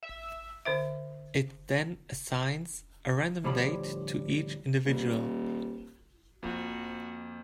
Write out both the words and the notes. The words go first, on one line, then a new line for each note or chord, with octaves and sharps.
It then assigns a random date to each individual.
E5
D3 C5 E5
D2 A2 F3 G3 B5
D#1
F2 F3 A#3 F#4